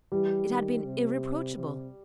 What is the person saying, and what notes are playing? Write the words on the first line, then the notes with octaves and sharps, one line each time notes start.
It had been irreproachable.
E3 G3
D#3
C3
C3